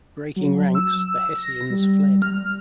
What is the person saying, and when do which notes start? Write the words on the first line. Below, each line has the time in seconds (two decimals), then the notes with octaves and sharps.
Breaking ranks, the Hessians fled.
0.36 F#3
0.75 E6
1.38 A#6
1.70 G3
2.22 F6